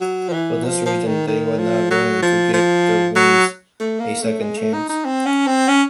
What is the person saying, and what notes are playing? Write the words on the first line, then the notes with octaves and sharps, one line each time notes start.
For this reason, they were not willing to give the Winds a second chance.
F#3
F3
E3
F3
F3
D#3
D#3
F3
F#3
F3
F3
F#3
A3
A#3
A3
G#3
A3
D#4
D#4
C4
C#4
C4
C#4